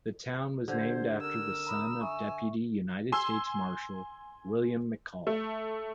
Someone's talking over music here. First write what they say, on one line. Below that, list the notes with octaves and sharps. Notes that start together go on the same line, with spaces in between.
The town was named after the son of deputy United States marshal William McCall.
D3 G4 C5 G6 G#6
A#4 E6
A#5 B5 D#6
E5 G#5 C#6
G#5 C6 E6
A3